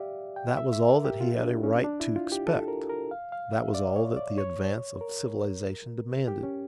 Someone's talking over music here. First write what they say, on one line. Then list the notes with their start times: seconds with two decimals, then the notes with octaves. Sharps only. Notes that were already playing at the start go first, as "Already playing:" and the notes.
That was all that he had a right to expect; that was all that the advance of civilization demanded.
Already playing: G4 D5 E5 F5
0.36 G5
0.57 E5
0.73 E5
0.89 A#4
1.05 G4
1.21 F4
1.41 D4
1.63 C#4
1.84 D4
2.00 E4
2.16 F4
2.32 G4
2.47 A4
2.68 A#4
2.90 A#4
3.11 F5
3.32 F5
3.53 E5
3.74 D5
3.96 C#5
4.17 D5
4.38 C#5
5.01 A#4
6.28 G4
6.43 C#4